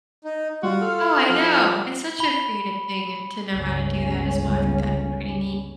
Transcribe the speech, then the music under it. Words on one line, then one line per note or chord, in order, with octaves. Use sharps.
Oh, I know, it's such a creative thing and to know how to do that as well, I think that'd be pretty neat.
D#4
G3 F4 F#4
A4 F6
F3 F#5
B5 G7
G1 C#2 C#4